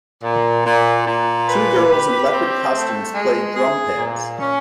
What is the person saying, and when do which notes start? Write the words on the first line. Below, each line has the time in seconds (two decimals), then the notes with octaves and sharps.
Two girls in leopard costumes play drum pads.
0.23 A#2
0.65 A#2
1.06 A#2
1.48 B4
1.89 G4
2.31 C4
2.73 A3
3.14 G#3
3.55 G#4
3.97 A#2
4.39 C#4